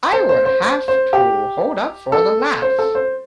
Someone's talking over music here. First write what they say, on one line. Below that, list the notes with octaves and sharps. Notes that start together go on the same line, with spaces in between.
I would have to hold up for the laugh.
C5
C5
C5
C5
C5
G4
A4
C5
A4
C5